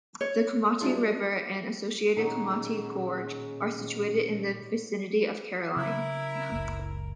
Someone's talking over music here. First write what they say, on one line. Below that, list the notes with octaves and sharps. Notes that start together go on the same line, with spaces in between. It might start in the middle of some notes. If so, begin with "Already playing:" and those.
The Komati River and associated Komati Gorge are situated in the vicinity of Carolina.
C#5
F#3 G3 A3 D4 F4 G#4
A#2 D#3 F#3 C#4 D#4 G#4
C#3 F#3 E4 A#4
F#1 C#2